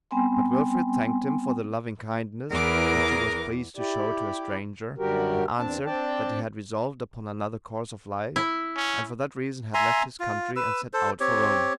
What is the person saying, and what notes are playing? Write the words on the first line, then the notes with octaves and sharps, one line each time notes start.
But Wilfrid thanked him for the loving-kindness which he was pleased to show to a stranger, and answered, that he had resolved upon another course of life, and for that reason had left his country and set out for Rome.
G3 B3 C4 G5 G#5 C6
E2 E3 G#4 A#4 D6
E4 G4 D5
F#2 D3 G3 F#4 G4 A#4
E2 C4 D4 A5
C4 D4 D5 G5 A5
E4
C#4
E5 G#5 A#5 C6
F4
B4 E6
A4 C5
C4 G4 C#5